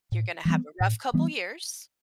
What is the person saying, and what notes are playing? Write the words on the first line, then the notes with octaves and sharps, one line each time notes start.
you're gonna have a rough couple of years"
A2
E3 G3 B3
A2
E3 G3 B3